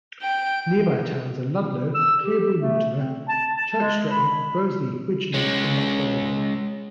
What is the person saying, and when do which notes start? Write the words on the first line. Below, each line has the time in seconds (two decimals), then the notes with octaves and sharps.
Nearby towns are Ludlow, Cleobury Mortimer, Church Stretton, Broseley, Bridgnorth and Much Wenlock.
0.22 G5
1.94 E6
2.22 G4
2.59 A3
2.93 C4
3.28 A5
3.56 A5
3.77 G#3
4.11 B5
5.34 G#3 C#4